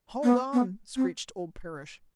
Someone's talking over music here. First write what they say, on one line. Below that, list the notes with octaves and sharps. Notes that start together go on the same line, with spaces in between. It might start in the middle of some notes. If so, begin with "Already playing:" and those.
"Hold on!" screeched old Parrish.
B3
B3
C4